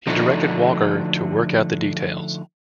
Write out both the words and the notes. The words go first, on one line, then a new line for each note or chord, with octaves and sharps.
He directed Walker to work out the details.
D3 F3 A3 D4 D#4 F#4